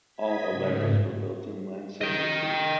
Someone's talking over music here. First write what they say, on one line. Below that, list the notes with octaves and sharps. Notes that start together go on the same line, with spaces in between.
All Aleros were built in Lansing, Michigan.
D#5 G#6 B6
G#2 C#3 A3
D#5 G5